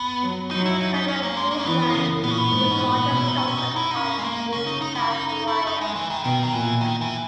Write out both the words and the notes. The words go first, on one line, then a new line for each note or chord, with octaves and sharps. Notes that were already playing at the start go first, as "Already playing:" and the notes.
Covering of coastline, it is the largest coastal park in New South Wales.
Already playing: B3
F#3
F#3 D#4
E4
D#4
D#4
C#4
A#3
G#3
A#3
C#4
E3 B3
C#3
A#2 B3
C#4
B3
G#2
C#4
A#2 B3
B2
E4
D#4
C#4
C#4
D#4
E4
D#4
C#4
G#3
A#3
C#3 C#4
D#4
D#4
E4
D#4
D#4
E4
D#4
G#3
E3
D#3
B2 D#3
F#3
A#2 E3
D#3
E3